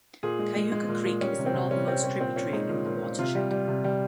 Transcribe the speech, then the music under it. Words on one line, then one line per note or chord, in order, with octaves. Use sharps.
Cayuga Creek is the northernmost tributary in the watershed.
A#2 G#4
G#3
G#3
G#3
A#2
A#2
G3 C#4
C3
C4
C3
G3 C#4
G3 C4
G3 C#4
A#2 C4
A#2 C#4
G#3 D#4
A#2
A#2
A#2
C3 F4
G3
G3
C3
G3